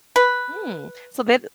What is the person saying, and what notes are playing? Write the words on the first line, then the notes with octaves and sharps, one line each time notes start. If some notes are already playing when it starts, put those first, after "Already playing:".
Mm, so they th
B4